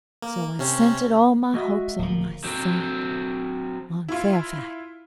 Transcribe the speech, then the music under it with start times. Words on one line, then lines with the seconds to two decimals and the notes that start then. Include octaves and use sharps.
So I centered all my hopes on my son--on Fairfax.
0.22 A#3
0.59 C3 C#4
1.54 G#3 F#4 D#5 E5
1.99 D1 F3 A#3
2.44 F#3 C4
4.08 E4 F4